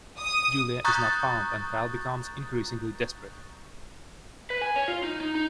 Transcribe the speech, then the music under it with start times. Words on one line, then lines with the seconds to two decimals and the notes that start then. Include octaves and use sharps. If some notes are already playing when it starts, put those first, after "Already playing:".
Julia is not found and Kyle becomes increasingly desperate.
0.19 D#6
0.84 A#5 C#6 D#6 F#6 G6 A6
4.50 B4
4.62 G#5
4.76 C#5
4.88 F4
5.03 D#4
5.20 D#4
5.35 D#4